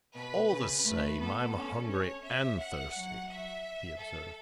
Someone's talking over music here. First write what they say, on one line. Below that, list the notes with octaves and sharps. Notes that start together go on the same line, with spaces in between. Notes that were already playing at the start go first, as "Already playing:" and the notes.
"All the same, I'm hungry and thirsty," he observed.
B2 B4
C#3
A3 B4
B3 A4
C#4 A4
C#5
E5
F#5
F#3
E5
A4